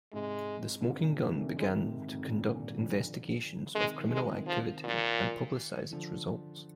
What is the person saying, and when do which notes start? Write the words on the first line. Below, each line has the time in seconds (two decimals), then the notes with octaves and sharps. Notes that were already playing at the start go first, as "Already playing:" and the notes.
The Smoking Gun began to conduct investigations of criminal activity and publicize its results.
0.13 G#2 C3 G#3
0.81 D3
0.85 C3 D#3
1.04 A#2 D3
1.22 C3 D#3
1.35 D3
1.39 C3 D#3
1.57 C3 D#3 G#3
1.75 C3 D#3
1.93 G#2 C3
2.11 F2 G#2
2.30 G2 A#2
2.54 A#2 D3
2.79 D3 F3
3.75 C3 D#3 G#3
3.98 C3 D#3
4.10 G#3
4.23 C3 D#3
4.47 F3
4.84 A#2
5.93 D3 F3